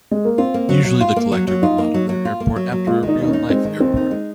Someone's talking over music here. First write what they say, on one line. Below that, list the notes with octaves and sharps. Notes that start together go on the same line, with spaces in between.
Usually, the collector will model their airport after a real life airport.
G#3
A#3
C4 F4
A#3
F#3
F#3
F4
A#3
F#3
F#3
D#4 F4
A#3
F#3
F#3
F4
A#3
F#3
F#3
G#3 F4
D#3
D#4
D#2 D#4
C#4
D#4
G#3 C4
D#3
D#2 C4
D#4
G#3